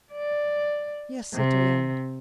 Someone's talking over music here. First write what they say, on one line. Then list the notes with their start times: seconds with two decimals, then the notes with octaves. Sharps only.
"Yes, citoyen."
0.12 D5
1.34 C3